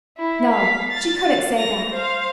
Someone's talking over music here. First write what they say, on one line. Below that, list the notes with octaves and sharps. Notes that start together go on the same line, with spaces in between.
No, she couldn't say that.
E4
F5 B6
A6
A#6 F7
C5 F5